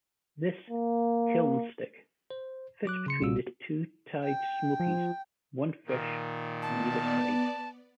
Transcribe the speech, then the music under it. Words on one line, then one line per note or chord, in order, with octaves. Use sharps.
This "kiln stick" fits between the two tied smokies, one fish on either side.
A#3
C5
F#3 D6 F#6
C#3 C6 C#7
B1 A#2 G3 F4 F#4 E6
G5
F3
A#2 D#3
B3 D5 A5